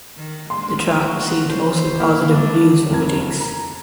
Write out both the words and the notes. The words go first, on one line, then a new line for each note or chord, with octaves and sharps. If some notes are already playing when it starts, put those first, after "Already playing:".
The track received mostly positive reviews from critics.
D#3
G#3 A#3 D4 C6
F#4
C#3 A4 C5
D3 A#3 E4 A#4 B4 F5
G3 G#3 D4
F1 F#3 A#3 A#4 A5 G#6
A#5